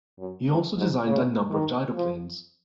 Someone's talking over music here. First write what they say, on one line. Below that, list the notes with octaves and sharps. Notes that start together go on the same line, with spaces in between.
He also designed a number of gyroplanes.
F#2
G#2
G#2
C#3
D#3
F3